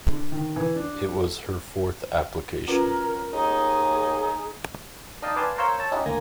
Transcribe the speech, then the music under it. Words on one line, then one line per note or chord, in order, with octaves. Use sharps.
It was her fourth application.
D3
D#3
E3
D4
A4
F#3 C#4 F4 A#4 B4
D#2 D#4 G#4
D4 D#4 D#5 F5 G5 A5
B4 D5 F5 G#5 A5 C6
A#4 C5 C#5 F5 E6 G6
C#5 A5 E6
C#4 D#4 E4 F#4 G4
D2 A#3 G#5 A#6